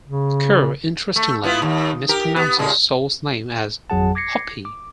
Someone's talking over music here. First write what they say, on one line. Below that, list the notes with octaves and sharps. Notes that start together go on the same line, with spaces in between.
Kerr interestingly mis-pronounces Sol's name as "hope-y".
C#3
A3
B3 E4 F4
D#2
G4 A#4
B3
A#2 C#3 G#3
G#1 F2 F#3 G#4 F#5 A5
D6 G#6 A#6 C7 C#7
D6